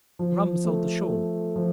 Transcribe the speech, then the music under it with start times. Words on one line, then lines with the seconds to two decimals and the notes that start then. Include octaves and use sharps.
Rum sold the shawl.
0.19 F3
0.65 A3
1.10 A3
1.56 F3